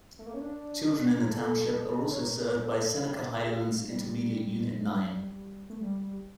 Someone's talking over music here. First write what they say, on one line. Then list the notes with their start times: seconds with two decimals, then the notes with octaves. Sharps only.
Children in the township are also served by Seneca Highlands Intermediate Unit Nine.
0.19 A3
0.26 A#3
0.34 C#4
0.41 D4
1.19 A#4
1.30 A4
2.12 C#5
2.20 A#4
2.45 C#5
2.54 A#4
2.65 A4
3.02 A4
3.11 G4
3.23 C#5
3.31 A#4
3.39 A4
3.47 G4
3.55 F4
3.78 A3
3.89 G3
4.90 G3
5.05 G3
5.70 A3
5.81 G3